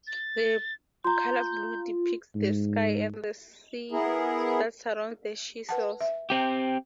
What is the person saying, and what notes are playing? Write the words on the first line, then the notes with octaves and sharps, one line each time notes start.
The colour blue depicts the sky and the sea that surrounds the Seychelles.
A6
F4 A#5 C6 G6
G#2
B3 E4 G#4 A#4
B4 F#5 A5
E5
C4 G4